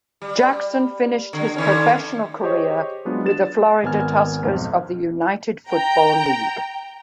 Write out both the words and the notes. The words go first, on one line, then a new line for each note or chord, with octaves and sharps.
Jackson finished his professional career with the Florida Tuskers of the United Football League.
G3
D3
D3 D#3 C#4
G4 G#4 C5 C#5 D#5 C#6
F#3 G#3 B3 D4 F4
A6 E7
G#1 B3 A#4 G#5 F6
B1 F2 G#2
G5 A#5